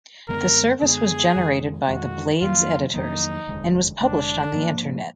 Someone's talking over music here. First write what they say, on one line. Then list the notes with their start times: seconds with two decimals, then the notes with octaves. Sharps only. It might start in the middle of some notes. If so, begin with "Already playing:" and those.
The service was generated by the "Blade"s editors and was published on the internet.
0.29 F#2 D3 G#3 B3 A#4
0.82 F#2 D3 G#3 B3 G#4
1.36 F2 D#3 G#3
1.88 F2 D#3 G#3 F#4
2.41 F2 D#3 F#3 A#3 F4
2.94 F2 D#3 F#3 A#3 D#4
3.48 F1 D#2 D3 G#3
4.00 F1 D#2 D3 G#3 D4
4.53 G#2 F3 A#3